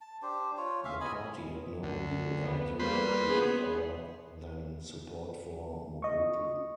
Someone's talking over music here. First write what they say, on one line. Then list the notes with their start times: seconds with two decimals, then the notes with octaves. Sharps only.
The party had no real ideology other than support for Mobutu.
0.01 A5
0.22 D4 G4 C5
0.57 F4 C#5
0.85 C#4 E5 F5
1.01 D#5 G#5 B5
1.83 D2
2.42 B3
2.79 G3 A#3 B4 C5
3.27 B3 G#4
6.02 D#5 C#6